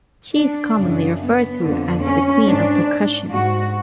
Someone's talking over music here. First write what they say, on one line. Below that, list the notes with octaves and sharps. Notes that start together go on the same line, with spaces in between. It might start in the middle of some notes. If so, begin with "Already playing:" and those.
She is commonly referred to as The Queen of Percussion.
D4
F#2 C#3
B3
F2 D3
C#4
G#2 D4
G#2 F#4